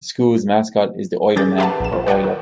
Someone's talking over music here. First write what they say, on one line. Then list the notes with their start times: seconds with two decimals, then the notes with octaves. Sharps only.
The school's mascot is the "Oiler Man" or "Oiler".
1.36 D#3 C#4 G#4 D6 G6 A6
1.58 G4 A#4 B4 E5 F#5 A5
1.80 A#1 E7
1.92 F4
2.07 B4 C#5 D5 F#5 G5
2.24 D#3